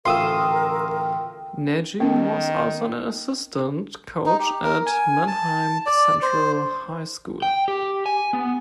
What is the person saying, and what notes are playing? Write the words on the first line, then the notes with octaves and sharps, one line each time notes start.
Nagy was also an assistant coach at Manheim Central High School.
A1 D2 F4 A#4 G5 C6 D#6 E6
D#3 B3 C#4
D#4
G4
A#4
G#5
A5
D5
C5
G5
G4
G#5
B3